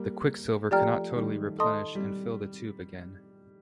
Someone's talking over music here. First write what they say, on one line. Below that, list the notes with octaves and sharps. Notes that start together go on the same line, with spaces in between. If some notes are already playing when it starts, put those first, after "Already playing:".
The quicksilver cannot totally replenish and fill the tube again.
Already playing: G3 A#3
F3 A3 G4 D5 G5 A#5 F6
D#3 G3
A4 D#5 A5 C6 D#6
G3